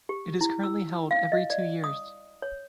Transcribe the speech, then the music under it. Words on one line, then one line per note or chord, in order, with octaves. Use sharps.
It is currently held every two years.
G4
E4
E6
F5
D#5
D5
D#6
C#5